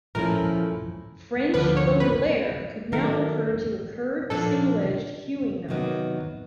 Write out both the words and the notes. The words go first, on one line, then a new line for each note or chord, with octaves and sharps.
French "baudelaire" could now refer to a curved, single-edged hewing knife.
A#2 F3 A3 C#4 E4 A#4
D2 D3 F3 A#3 B4
C#5
B4
D#3 F#3 A3 A#4
A#2 F3 A#3 D4 A4
C3 D#3 F#3 B3